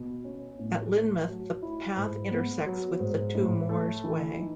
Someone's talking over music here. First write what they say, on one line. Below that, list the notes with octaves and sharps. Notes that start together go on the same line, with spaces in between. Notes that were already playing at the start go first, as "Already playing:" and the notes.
At Lynmouth the path intersects with the Two Moors Way.
Already playing: B2
C#4
A2
A3
F#3
E4
G#2
B3
F#3
G#2
A2
A3
E3
D#4